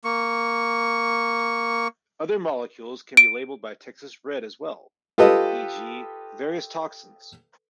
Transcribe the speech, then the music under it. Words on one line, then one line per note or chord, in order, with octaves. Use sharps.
Other molecules can be labeled by Texas Red as well, e.g., various toxins.
A#3 C#6
D7
F4 G4 A4 B4 D#5